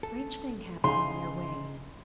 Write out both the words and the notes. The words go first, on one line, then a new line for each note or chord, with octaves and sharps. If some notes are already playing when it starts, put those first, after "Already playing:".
A strange thing happened on their way.
A4
C#3 D#4 G#4 C6